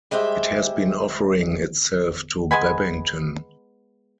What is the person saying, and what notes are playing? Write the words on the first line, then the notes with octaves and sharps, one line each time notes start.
It has been offering itself to Babbington.
G3 G#3 G4 C5 E5
G#3 B3 G#5 B5